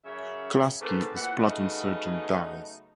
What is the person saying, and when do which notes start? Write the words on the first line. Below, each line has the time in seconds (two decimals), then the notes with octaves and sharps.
Klasky, his platoon sergeant, dies.
0.05 F#2 C#3 C#4 C#5 E5
0.80 G#2 A3 C4 G4 A#4 B4
1.15 A#2 E3 F3 E4 F#5
1.39 C#3 F#3 A3 B3 D#4